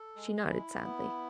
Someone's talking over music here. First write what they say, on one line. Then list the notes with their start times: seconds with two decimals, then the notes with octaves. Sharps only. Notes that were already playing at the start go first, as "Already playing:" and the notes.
She nodded sadly.
Already playing: A4
0.16 G#3
0.50 E4
0.85 B3